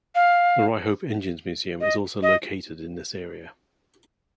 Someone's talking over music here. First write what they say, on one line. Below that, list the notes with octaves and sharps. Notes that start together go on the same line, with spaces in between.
The Ryhope Engines Museum is also located in this area.
F5
D#5
D#5